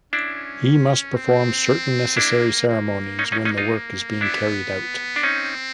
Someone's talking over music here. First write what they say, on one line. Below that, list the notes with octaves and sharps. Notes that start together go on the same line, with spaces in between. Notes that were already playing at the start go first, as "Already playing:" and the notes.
He must perform certain necessary ceremonies when the work is being carried out.
C#4 D4 E4
C4
A#3 D4 E4
A#3
C#4 D#4
C#4 D#4
C#4 D#4
D#4 F4
B3 D4 E4
D4
C4 C#4 D#4